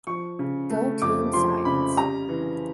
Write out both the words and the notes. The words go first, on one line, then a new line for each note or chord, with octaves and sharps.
Go team science!
F3 C#6
C#3
A3
F2 D6
F3 C6
C#3 B5
G3 A#5
E3